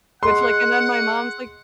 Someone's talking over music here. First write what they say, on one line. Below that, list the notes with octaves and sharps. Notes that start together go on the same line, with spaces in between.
Which, like, and then my mom's like
G#4 D#5 F#5 C6